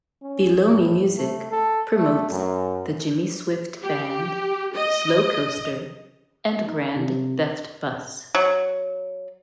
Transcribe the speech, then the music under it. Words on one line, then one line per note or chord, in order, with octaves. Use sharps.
BelowMeMusic promotes the Jimmy Swift Band, Slowcoaster, and Grand Theft Bus.
C#4
A2
A3
A4
A3
F#2
G4
D#5
D#4
C3
F#3